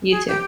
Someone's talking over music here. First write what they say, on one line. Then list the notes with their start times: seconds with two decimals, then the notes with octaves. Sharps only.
You too.
0.10 G#4
0.28 G4